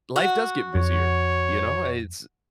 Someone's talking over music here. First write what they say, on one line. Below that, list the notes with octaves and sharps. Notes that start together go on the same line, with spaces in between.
life does get busier, you know, it's
F#4
F2 C#5